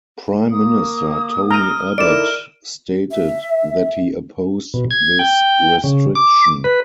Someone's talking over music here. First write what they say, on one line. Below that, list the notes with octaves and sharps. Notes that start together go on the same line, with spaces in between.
Prime Minister Tony Abbott stated that he opposed this restriction.
A#3 D#6
A#5 F6 D#7
A3 D#4 E4 A#4 D5 D7 E7
E5
B2
G#6
G5
C#3
D6
B4